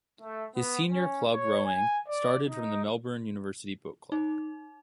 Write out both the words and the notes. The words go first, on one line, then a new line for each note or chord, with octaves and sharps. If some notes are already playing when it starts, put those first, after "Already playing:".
His senior club rowing started from the Melbourne University Boat Club.
A3
B3
C#4
C#5
G#5
D5
D#4
D#4